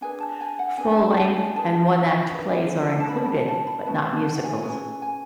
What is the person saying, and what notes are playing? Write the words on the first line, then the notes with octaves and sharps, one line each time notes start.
Full length and one act plays are included but not musicals.
D4 G#4 B4 G#5
A5
G#5
F#5
D4 G#4 B4 G#5
A5
B5
A5
G#5
D4 G#4 B4 A5
D4 G#4 B4
A5
C#4 G#4 B4 B5
A5
A5
B5
C#4 G#4 B4 A5
A5
F#5
G#5
C#4 G#4 B4 G#5
G#5